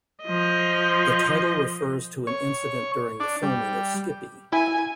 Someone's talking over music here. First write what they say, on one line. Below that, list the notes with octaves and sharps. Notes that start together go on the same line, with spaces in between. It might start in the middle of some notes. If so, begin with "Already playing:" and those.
The title refers to an incident during the filming of "Skippy".
F3 D#5
C#5
D4
G3
E4 G#5